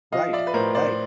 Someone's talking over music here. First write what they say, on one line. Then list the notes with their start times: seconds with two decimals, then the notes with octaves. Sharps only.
Right, right.
0.12 F3 D#5 F5
0.33 D5 E5
0.47 B4
0.54 A2 A#4 C5
0.75 C5 D5